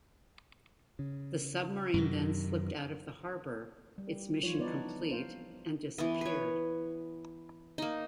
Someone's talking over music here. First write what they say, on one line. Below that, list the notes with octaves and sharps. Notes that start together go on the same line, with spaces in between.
The submarine then slipped out of the harbour, its mission complete, and disappeared.
C#3
F#2 C3 D#3
G3
E3 F3 F4 C#5
B3 D4 D#4 B4 C#5 D5
C5 F5
E3 B3
B4 C#5
A#3 D#4